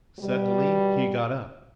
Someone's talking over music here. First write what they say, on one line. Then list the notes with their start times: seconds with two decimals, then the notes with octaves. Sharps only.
Suddenly he got up.
0.20 B2 G3